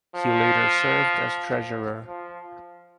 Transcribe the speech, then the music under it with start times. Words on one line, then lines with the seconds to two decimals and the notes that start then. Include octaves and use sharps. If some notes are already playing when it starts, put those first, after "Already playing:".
He later served as treasurer.
0.16 F3
2.07 F3